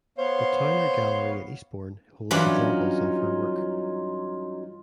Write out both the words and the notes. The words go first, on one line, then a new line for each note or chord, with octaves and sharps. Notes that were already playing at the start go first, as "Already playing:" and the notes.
The Towner Gallery in Eastbourne holds examples of her work.
B3 C5 C#5 F5
G2 E3 F#3 C#4 D#4 F4 B5